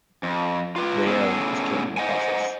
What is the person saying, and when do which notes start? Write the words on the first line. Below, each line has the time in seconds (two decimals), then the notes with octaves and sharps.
Rael is killed in the process.
0.23 F2
0.76 F4 B4
1.07 A2 B3 C#4 G#4 A4
1.97 C5 D#5 F#5 G#5